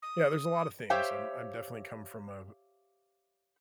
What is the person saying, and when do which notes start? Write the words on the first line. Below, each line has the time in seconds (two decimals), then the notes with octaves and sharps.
Yeah, there's a lotta things. I'm I'm definitely come from a
0.02 D#6
0.90 G4 C5 C#5 E5 F5 G5